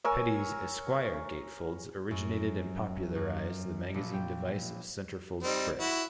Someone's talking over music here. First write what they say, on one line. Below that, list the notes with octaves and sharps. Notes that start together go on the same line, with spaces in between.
Petty's "Esquire" gatefolds originated and popularized the magazine device of centerfold spreads.
A#4 C#5 G#5 E6
F#2
F#2
A#1
G5
G3 C4 D#4
E4 F#4